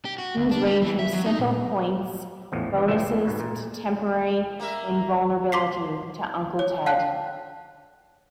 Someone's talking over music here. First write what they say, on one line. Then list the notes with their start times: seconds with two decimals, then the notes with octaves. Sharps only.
These range from simple points bonuses to temporary invulnerability, to Uncle Ted.
0.05 G4
0.18 F#4
0.37 D2
0.51 D4
0.65 G3
0.82 E3
0.99 E5
1.13 F#3
1.26 D#4
1.39 A#2
2.52 A1 E2 F3
2.73 C#2 G2 E3
2.88 C#2 A2 F3 A3 E5
3.09 E2
3.25 G#2 B2
3.40 A#2
4.59 A#3 A#4 E5
5.52 C6 D6 B6 C7
6.59 C#5
6.86 F5 G5 A5 F#6